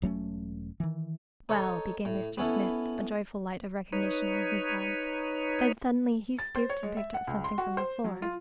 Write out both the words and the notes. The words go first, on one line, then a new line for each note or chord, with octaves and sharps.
"Well--" began Mr. Smith, a joyful light of recognition in his eyes. Then suddenly he stooped and picked up something from the floor.
E1 F#3 A3 C#4
D#3 E3
D#4 A4 C#5
A2
B3 C#4 E4 A4
D#4 B4 C#5
A6
C5
C#5
G#3
E5
F#5
C#2
C6
F#4
C5
F#3
F4